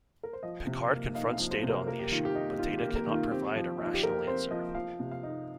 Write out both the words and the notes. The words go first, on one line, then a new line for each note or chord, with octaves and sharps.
Picard confronts Data on the issue, but Data cannot provide a rational answer.
A#4
C5
F3 D#5
C3
A#3
D#4 F5
F5
F3
C5
C3
A#4
A#3 A#4
G4
D#3 F4
G4
D#4
G4
D#3 F4
G4
A#3
G4
A#4
D#3
F4
C4 G4
F3
D#4
F4
G4
F3 A#4
C4 C5
F3 D#5
F3 F5
C3
F5
D#4